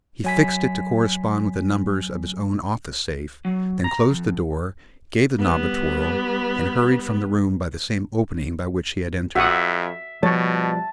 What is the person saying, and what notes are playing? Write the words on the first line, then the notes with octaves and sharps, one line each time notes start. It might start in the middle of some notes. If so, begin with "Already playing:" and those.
He fixed it to correspond with the numbers of his own office safe, then closed the door, gave the knob a twirl, and hurried from the room by the same opening by which he had entered.
F#3 G#5 B6
F#3
A#5
F2
G3 B3
F2 F#4 E5 F#5 D#6
B2 F3 G3 C#5 A5